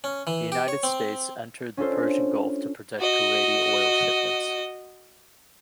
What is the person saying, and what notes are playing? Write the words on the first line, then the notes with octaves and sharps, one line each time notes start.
The United States entered the Persian gulf to protect Kuwaiti oil shipments.
C#4
E3
G4
C#5
C4
C#4 D4 F4 A4 C5
F#4 D#5